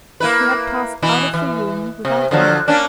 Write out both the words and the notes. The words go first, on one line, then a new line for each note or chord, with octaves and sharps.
He had passed out of the room without a look!
A#3 E4 B4
B2 E3 E4
E3
C3
D3 F3 F#3
A#3 C#4 D4